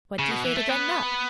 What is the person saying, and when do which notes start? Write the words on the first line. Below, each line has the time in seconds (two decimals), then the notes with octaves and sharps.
"What do you say to gettin' up?"
0.19 C#3
0.31 B2
0.44 E3
0.56 A3
0.69 B3